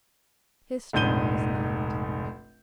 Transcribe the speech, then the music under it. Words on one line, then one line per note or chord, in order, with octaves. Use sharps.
History is night.
F1 A#1 G#2 G6 D#7 G7